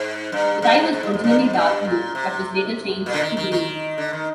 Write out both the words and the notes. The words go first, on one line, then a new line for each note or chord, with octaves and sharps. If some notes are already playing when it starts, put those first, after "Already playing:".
The tie was originally dark blue but was later changed to green.
Already playing: G#2
G2
G2
G#2
G#2
G2
F2
G2
F2
G2
A#2
C3
A#2
D3
D#3
D#3
D#3
D3
D#3